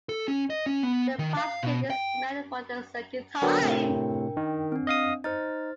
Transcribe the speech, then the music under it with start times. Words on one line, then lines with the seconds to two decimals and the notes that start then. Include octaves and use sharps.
Trepashkin is married for the second time.
0.09 A4
0.28 C#4
0.50 D#5
0.66 C#4
0.83 B3
1.19 D#3
1.37 F5
1.63 B2
1.90 G5
3.42 D3 F#3 B3 D4 A#4 G5
3.62 A2 C3
4.37 D#3
4.72 C4 D4
4.87 D#5 F5 D#6
5.24 D#4 C5 F6 A6